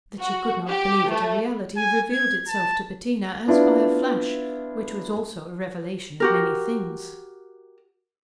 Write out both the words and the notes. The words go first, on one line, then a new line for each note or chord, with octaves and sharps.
That she could not believe it a reality revealed itself to Bettina, as by a flash, which was also a revelation of many things.
F#4
G4
A3
G#5
G#6
A5
B3 D4 E4 F4
F#4 G4 A#4